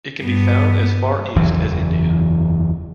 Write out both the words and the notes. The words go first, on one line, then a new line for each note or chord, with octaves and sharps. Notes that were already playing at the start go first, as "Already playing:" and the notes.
It can be found as far east as India.
G2 B3
F#1 E2 E3 F#3